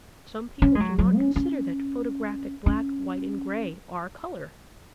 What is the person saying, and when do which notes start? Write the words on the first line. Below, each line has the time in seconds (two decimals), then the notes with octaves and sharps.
Some people do not consider that photographic black, white, and gray are color.
0.62 C#4
0.75 G#3
0.80 F#3
0.98 F#3
1.18 C#4
1.36 C#4
2.66 C#4